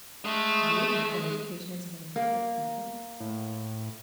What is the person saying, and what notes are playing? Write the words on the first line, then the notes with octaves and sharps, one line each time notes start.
"Do you admit that education is a benefit for the people?"
G#3 A3
A#3
A2